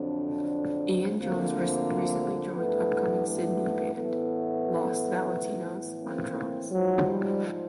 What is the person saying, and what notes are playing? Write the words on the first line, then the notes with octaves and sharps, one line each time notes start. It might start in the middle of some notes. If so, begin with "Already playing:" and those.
Ian Jones recently joined upcoming Sydney band, Lost Valentinos on drums.
Already playing: F2 D3 F#3 C4 D4
D2 D3 F3 A#3 C4
G2 E3 A3 B3
A3 B3
A2 E3 A3 B3
A2 E3
A#3 C4
G#2 F3 F#3
G3